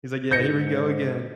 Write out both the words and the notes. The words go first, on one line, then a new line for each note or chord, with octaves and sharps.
He's like, "Yeah. Here we go again."
G#2 G6 A#6 C#7